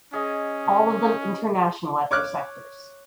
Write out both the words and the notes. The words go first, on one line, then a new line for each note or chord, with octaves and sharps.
All of them international at their sectors.
C#4 G#4 D#5
C#5 D6 F6 F#6